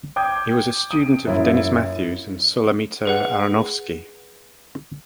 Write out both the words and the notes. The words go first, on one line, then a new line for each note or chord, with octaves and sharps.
He was a student of Denis Matthews and Sulamita Aronovsky.
G5 D6 D#6 G6 G#6
D#6 D7 D#7
F#2 F#3 A#3 E4 F4
G#4 B4 F#5